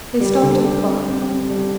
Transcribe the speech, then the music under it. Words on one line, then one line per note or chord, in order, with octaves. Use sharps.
They stopped at the bar.
G3
D3
G4
C4
C4
C4
G3